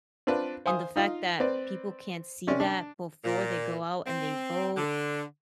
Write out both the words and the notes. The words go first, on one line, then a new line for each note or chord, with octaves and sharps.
And the fact that people can't see that before they go out and they vote
C4 D4 F4 B4 D5
C5 F5 G#5 D#6
D#4 F4
C4 B4 D5
C3 C#4 D5
D4
A#2
C4
D3